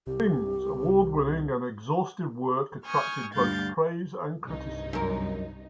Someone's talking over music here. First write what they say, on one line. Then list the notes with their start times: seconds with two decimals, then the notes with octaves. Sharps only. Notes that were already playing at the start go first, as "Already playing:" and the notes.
King's award-winning and exhaustive work attracted both praise and criticism.
0.07 C2 G4
2.86 G#5 C#6 D#6 F6 G6
3.34 D2 G2 G3 F5 G6 A6
4.45 C2 G2 D#4
4.93 F#2 A#4